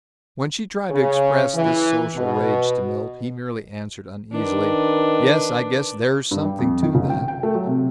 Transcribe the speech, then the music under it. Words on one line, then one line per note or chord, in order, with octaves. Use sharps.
When she tried to express this social rage to Milt he merely answered uneasily, "Yes, I guess there's something to that."
C#3
E3
B2
D#3 D4 B4
G2
G3
F2
D#3
F#1
G5
G5
A3
F#3
C3